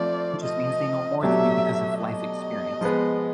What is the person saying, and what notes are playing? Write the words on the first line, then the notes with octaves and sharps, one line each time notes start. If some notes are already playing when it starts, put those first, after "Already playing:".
just means they know more than you because of life experience,
Already playing: F3 A3 C4 F4 D5
D#5
B2 F#3 A3 D4 G4 E5
D#5
F3 G#3 B3